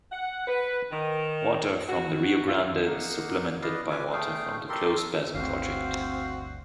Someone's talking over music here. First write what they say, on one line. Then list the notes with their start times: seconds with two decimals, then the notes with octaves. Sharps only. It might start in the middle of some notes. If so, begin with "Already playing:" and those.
Water from the Rio Grande is supplemented by water from the Closed Basin Project.
0.12 F#5
0.48 B4
0.91 D#3
1.88 F#4
2.47 F4
2.86 A#3 D#4 F5 F#5
3.62 B4 D5 D#5 F5
3.91 B4 G#5 D6
4.13 A3 G#4 F5 G5
4.69 G4 A4 A#4 C6
5.34 G1 D2 C4 F#4 F5